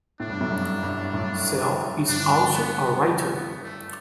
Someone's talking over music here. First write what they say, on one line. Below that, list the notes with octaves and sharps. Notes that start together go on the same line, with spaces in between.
Cehl is also a writer.
A2 D4
G2
F#2 A2
G2
G2
F#2 A2
G2 D4
B3
A3
B3
A3